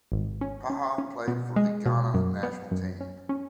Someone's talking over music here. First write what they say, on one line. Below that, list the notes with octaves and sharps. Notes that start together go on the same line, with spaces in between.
Paha played for the Ghana national team.
G#1
C#4
C#4
C#4
B2
G#3
B2
F#2
B3
F#2
C#4
C#4